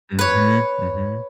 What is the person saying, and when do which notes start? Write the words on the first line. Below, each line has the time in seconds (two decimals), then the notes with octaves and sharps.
Mhm, mhm.
0.19 B4 C#5